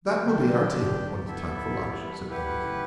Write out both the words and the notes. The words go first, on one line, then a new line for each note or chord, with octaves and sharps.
"That will be our table, when it's time for lunch," said Dot.
D3 F#3
D3 F#3 D4 G4 D5 G5
D3 F#3
B3 E4 A4 E5
E3 G3
F#3
E3 G3 E4 G4 B4 F#5
F#3 A3
C#3 E3